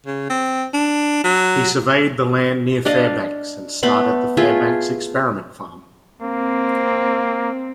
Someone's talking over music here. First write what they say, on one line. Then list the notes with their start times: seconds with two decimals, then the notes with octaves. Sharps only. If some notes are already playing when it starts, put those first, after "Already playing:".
He surveyed the land near Fairbanks and started the Fairbanks Experiment Farm.
0.06 C#3
0.30 C4
0.74 D4
1.24 F#3
2.85 D4 D5 D#5 F5
3.83 A3 B3 B5 C6
4.37 A3 F4 G#4 E5
6.23 A#3 C4